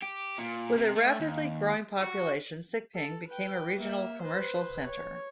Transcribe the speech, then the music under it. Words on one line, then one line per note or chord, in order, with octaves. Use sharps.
With a rapidly growing population, Siping became a regional commercial center.
G4
A#2
C3
A3
D#2
F#4
A4
B4 G5
A#3 E5
B4 C5
C#5